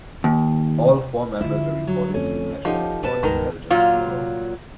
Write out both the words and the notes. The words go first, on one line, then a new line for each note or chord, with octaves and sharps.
All four members were reported to the National Fraud Intelligence Bureau.
D#2
D3 E3 F3 E4
F#3
F2 A3 C#4
F3 D#4 G4 A4 F#5
B2 B3 B4 A5
C#2 G2 D#3 G#3 A#4
A#2 F#3 F4